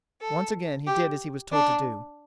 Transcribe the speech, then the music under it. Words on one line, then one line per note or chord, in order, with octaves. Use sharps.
Once again he did as he was told to do.
A4
G4
D4